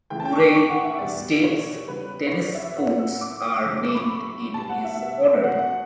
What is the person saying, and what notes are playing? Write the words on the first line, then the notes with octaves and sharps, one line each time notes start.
Murray State's tennis courts are named in his honor.
C#3 E3 A3 G5
A5
G5
C#6
D6
C#6
F#5
E5
E2 B2 G3 B3 D5
C#5
C#3 E3 G3 B3 B4
C#5
D5
E5
A2 F#3 B3 F#5
E6
D6
E6
F#2 C#3 F#3 A3 D6
D6
D6
B5
C#6
B5
B2 G3 B3 A5
F#5
E5
B2 A3 F#5
F#5